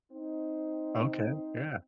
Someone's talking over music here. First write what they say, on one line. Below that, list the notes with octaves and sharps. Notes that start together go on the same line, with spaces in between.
Okay. Yeah.
C4 D#4